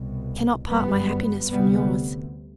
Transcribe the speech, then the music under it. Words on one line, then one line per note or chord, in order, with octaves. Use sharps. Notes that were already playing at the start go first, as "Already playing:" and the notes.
I cannot part my happiness from yours.
Already playing: C2 B2
G1 F#2 G3 B3
D2 C3 G3 B3